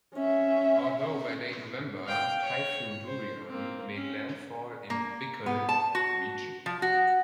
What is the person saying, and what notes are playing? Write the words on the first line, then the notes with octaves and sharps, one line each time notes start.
Although by late November, Typhoon Durian made landfall in Bicol region.
C#4 E5
F5 G5
C#5 C#6
C5
A#3 C4
C#4
A#3
B3
A5
F#4
F3
F#4